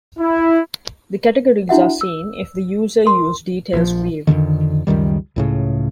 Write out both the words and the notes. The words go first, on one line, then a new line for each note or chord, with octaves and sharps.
The categories are seen if the user use "Details" view.
E4
D4 E4 F#4 E5 F#5
E6
A#4 C6
A#1 F3
F2 B2 D3 D#3
C#2 F#2 D#3 G3
C#2 A2 C#3